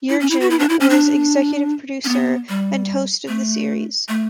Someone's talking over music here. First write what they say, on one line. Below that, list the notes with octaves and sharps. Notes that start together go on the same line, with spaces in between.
Yergin was executive producer and host of the series.
E4
C#4
E4
F#4
E4
D4
E4
C#4
D4
C#4
B3
G3
A3
A3